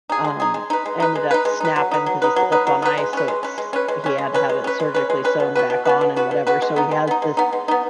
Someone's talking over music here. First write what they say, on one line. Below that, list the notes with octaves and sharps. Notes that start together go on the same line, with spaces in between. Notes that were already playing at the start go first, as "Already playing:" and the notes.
um, ended up snapping, 'cause he slipped on ice, so it's he had to have it surgically sewn back on and whatever, so he has this
D#4 G#4
G#3
D#4 G#4
G#3
D#4 B4
G#3
D#4 B4
G#3
D#4 B4
G#3
D#4 B4
F#3
D#4 B4
F#3
D#4 B4
F#3
D#4 B4
F#3
D#4 B4
G#3
C#4 B4
G#3
C#4 B4
G#3
C#4 B4
G#3
C#4 B4
G#3
C#4 B4
G#3
C#4 B4
G#3
C#4 B4
G#3
C#4 B4
B2
B3 F#4 B4
B2
B3 F#4 B4
B2
B3 F#4 B4
B2
B3 F#4 B4
G#3
B3 D#4
G#3
B3 D#4
G#3
B3 D#4
G#3
B3 D#4